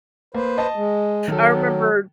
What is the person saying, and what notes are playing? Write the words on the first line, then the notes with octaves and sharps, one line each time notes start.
I remember
A#3 B4 C5
D#5 A5
G#3
D#3 F#3 A4